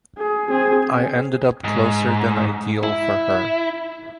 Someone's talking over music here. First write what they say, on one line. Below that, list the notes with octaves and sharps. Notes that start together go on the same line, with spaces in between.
I ended up closer than ideal for her.
G#4
C4 G#4
G#2
E4